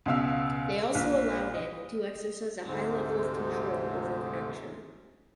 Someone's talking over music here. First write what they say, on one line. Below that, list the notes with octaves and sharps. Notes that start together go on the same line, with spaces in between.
They also allowed it to exercise a high level of control over production.
C#2 B2 F5 E6
A#1
D#5
D2 G#2 C3